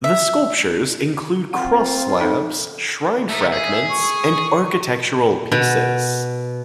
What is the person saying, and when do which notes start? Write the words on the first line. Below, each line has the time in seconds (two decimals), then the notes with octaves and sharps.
The sculptures include cross-slabs, shrine fragments and architectural pieces.
0.04 E5
1.53 C4 F4 F#5
2.20 D#4 A4
3.29 A3 D#4 E5
3.52 G#4
3.89 C#6
5.52 B2